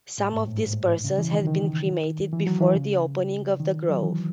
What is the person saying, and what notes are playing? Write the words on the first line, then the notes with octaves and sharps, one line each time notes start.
Some of these persons had been cremated before the opening of the grove.
A2
G#2
A2
G#2
A2
C#3
E3
D#3
D#3
E3
F#3
E3
C#3
D#3
F#3
E3